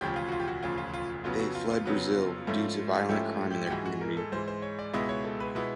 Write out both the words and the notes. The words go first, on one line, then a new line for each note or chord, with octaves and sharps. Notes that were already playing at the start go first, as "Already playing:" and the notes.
They fled Brazil due to violent crime in their community.
E1 D2 C#3 F3 G4
F4
F#4
F4
G4
F#4
E1 D2 C#3 F3 F4
F4
F4
F2 C#3 F#3 B3 F4
F#4
F4
F4
F2 C#3 F#3 B3
G#2 F3 A3 C#4 E4
G#2 F3 A3 C#4 E4 G4
G4
G4
G#2 E3 G#3 F#4
F#4
A#4
A4
G#2 E3 G#3 C5
C5
C#5
D5
C#2 B2 G#3 B3 E4 D#5
C#5
A4
B4
B2 G#3 B3 E4